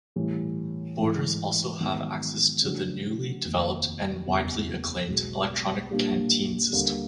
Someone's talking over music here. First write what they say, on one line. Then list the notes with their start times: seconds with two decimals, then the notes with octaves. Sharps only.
Boarders also have access to the newly developed and widely acclaimed electronic canteen system.
0.16 A2 E3 G3
0.98 G#2 E3 A3
1.80 G#2 D#3 F#3 B3
2.62 C#3 F3 A3 D4 F#4
3.44 F1 D#2 D#3
4.27 F#1 E2 C#3
5.08 B1 B2 G#3 B3
5.91 A#2 G3 A#3 D4 G4
6.72 D#2 D3 G3 A#3